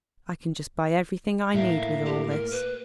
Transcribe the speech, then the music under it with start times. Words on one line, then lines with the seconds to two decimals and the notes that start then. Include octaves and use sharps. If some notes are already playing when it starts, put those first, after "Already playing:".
"I can just buy everything I need with all this."
1.54 A2 A#3 E5
2.05 G4
2.30 A#4
2.51 B4